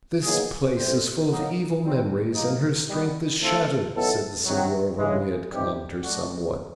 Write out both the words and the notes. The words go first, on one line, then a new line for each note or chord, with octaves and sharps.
"This place is full of evil memories, and her strength is shattered," said the señor, when we had calmed her somewhat.
B2 F#3 A#3 D#4 G#4
G3 C4 E4 A4 C5
F#3 A#3 D#4
D3 G3 C4
D#3 F#3 A#3 D#4
D#3 G3 B3
A3 C4 F4 A4
D#3 F#3 B3 E4 A4
C3 D#3 F#3
C#3 E3 G#3
E3 G3 C4 D#4 G4
F#3 A3 D4 F#4